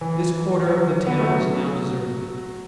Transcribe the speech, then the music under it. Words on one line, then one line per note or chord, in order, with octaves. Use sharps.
This quarter of the town is now deserted.
E3
F#3
B3
A3
F#3